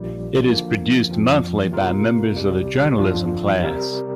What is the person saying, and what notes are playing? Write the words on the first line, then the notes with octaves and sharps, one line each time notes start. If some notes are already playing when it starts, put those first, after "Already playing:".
It is produced monthly by members of the journalism class.
Already playing: A#1 A#2 G3
D3 F3 A#3
F2 F3 C4
C3 A#3 F4 A#4
C2 C3 G3
G1 F2 F3 D4 F4
C3 G3 C4 A#4